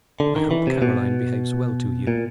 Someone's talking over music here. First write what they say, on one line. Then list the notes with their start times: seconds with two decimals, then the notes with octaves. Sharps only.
I hope Caroline behaves well to you.
0.20 D3
0.36 D#3
0.51 E3
0.67 C3
0.82 B2
2.07 A#2